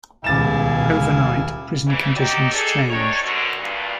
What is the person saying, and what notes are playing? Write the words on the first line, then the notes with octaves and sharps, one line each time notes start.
Overnight prison conditions changed.
D#1 C#2 B2 E4 F5 G#5 A6 E7
G#2 C#3 E3
D#3 F#3 D#4 F#4 G4 D5
A#3 D#4 G#4 A4
C3 D4 D#4 C#5
F#2 B2 D3
D2 G2 A#2